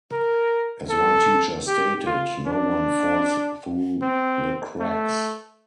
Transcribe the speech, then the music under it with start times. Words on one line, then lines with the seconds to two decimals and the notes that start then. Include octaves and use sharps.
As one teacher stated, No one falls through the cracks.
0.12 A#4
0.90 A4
1.67 G4
2.06 F4
2.46 D4
4.02 C4
4.80 A3